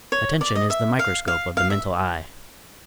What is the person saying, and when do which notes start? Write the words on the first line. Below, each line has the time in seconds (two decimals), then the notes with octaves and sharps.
Attention is the microscope of the mental eye.
0.12 C#5
0.41 D5
0.55 D#5
0.70 E5
0.99 F5
1.28 F5
1.57 F5
1.70 E5